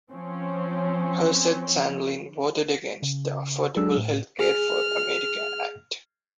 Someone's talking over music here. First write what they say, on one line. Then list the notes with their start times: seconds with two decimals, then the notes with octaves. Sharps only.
Herseth Sandlin voted against the Affordable Health Care for America Act.
0.13 F3 C4 C#4
3.02 C#3
3.77 F#3 G#3 D4 G#4 A4 E6
3.97 A2
4.39 G#4 F6